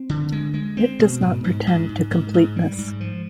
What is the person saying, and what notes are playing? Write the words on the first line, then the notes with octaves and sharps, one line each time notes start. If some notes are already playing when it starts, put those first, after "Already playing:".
It does not pretend to completeness.
Already playing: C4
D3
G#3
G#3
C4
B2
G#2
G#2
G#2
G#2
G#2
G#2
G3
G#2
F3